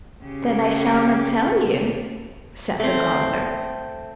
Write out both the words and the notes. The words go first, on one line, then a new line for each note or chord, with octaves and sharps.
"That I shall not tell you!" said the garter.
C#3 G4
A3 C4